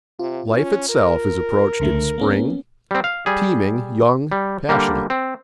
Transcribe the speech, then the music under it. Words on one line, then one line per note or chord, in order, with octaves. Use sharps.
Life itself is approached in spring, teeming, young, passionate.
C3 F4
C#4
A#4
C#2 D3 A3
A#3 B3 C#4
G3 C4
F5
G3 G#4
G3
D3 G3 A#3
C4